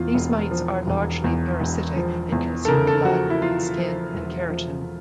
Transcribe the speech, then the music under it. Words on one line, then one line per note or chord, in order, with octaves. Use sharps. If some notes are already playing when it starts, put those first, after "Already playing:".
These mites are largely parasitic and consume blood, skin and keratin.
Already playing: E1 E2 F4
E1
F3
E1
E2
E1
F3
E2
A4
C#3 A#4
A4
F3 F#4
E4
F3 F4
F3
E1
F3